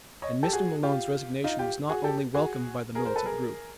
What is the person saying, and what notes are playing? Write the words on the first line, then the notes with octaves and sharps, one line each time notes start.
And Mr. Malone's resignation was not only welcomed by the militant group.
C#5 D#5
G4 A4
F#4 G#4
F4 G4
D#4 F4
F4 G4
F#4 G#4
G4 A4
F#4 G#4
G#4 A#4
A#4 C5
A4 B4
G#4 A#4